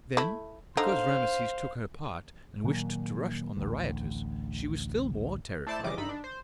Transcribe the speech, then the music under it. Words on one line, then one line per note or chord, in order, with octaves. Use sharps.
Then, because Rameses took her part and wished to rush on the rioters, she was still more terrified.
A3 E4
D3 D#4 C5 F5
A#2 D#3 F#3 A#3
A1 D2
A3 E4 A4 C5 D5 A5
C#3 E3 F3 G3 D#5 D6
G2 D#4 A4 B5
D4
C5